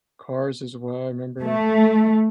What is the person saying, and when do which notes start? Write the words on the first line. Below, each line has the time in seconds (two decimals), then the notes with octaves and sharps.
Cars as well, I remember,
1.42 A3